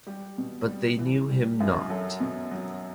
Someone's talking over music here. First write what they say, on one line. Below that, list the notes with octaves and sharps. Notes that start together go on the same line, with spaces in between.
But they knew Him not.
G3 G4
B2
G3
E3
G3
F#2
F#3 A4
B2
F#3